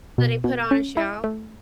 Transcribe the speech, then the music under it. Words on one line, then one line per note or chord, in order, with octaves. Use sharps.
So, they put on a show?
B2
B2
C#4
E4
A3